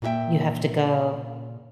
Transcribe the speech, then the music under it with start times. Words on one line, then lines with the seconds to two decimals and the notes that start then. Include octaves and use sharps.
You have to go.
0.02 A#2 A#3 F#4 G4 E5 G5